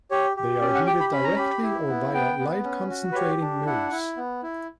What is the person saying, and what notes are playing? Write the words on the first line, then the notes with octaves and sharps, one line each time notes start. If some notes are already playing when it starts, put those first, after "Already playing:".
They are heated directly or via light-concentrating mirrors.
G4 C#5
G4
C#4 D5
F#5
G4 G5
B5
C#4 B5
A#5
G4 B5
E4
B3
B3 G5
B3
C#4
F#4
B4
G4 C#5
D4
E4 F#5
E4
B3
E4